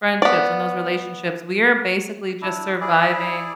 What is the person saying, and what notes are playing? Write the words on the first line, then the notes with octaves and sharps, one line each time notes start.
friendships, on those relationships, we are basically just surviving
B3 D5
D4 E4
E4 G#4 D5